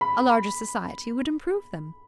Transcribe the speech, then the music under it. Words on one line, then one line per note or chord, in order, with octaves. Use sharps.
A larger society would improve them.
B5